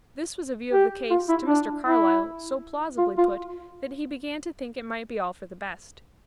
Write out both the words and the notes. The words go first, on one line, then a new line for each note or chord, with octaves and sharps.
This was a view of the case, to Mr. Carlyle, so plausibly put, that he began to think it might be all for the best.
G4
F4
E4
D4
E4
F4
F4